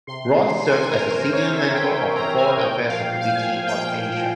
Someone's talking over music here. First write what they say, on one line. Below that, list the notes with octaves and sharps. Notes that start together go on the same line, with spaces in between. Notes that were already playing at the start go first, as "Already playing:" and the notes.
Royce serves as a senior member of the Foreign Affairs Subcommittee on Asia.
C3 C6
E3
C3 G#5
A#4
E3
C5
C3 C#5
E5
E3
G5
C3 G5
A#5
E3
G#5
A#2 G5
F3 F5
A#2 F5
G#5
F3 G#5
G5
A#2
F3